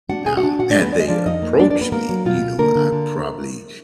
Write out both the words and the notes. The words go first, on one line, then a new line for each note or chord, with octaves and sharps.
now had they approached me, you know, I probably
D4 F#4 F#5
B2 G#4 G#5
F#4 F#5
D4
A#2 F#4 F#5
D4 D5
G#3
B3 B4
G#3 D5
D#5
F3 D4 D5
F2 D#4 D#5
A#3
F2 D4 D5
D4 D5
A#3
B3 B4
A#3 B3 A#4
F#3
B2 F4
B2
D3 A#3 A#4
D3
D3